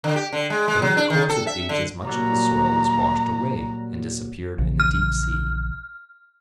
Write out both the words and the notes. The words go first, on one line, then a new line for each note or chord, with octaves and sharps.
But in the course of ages much of the soil was washed away and disappeared in the deep sea.
D3
G4
D3
G#3
G#3
F#3
D4
D#3
A4
E5
D3
A#2 F#3 G3 A#5
A#1 C#3 E3
F6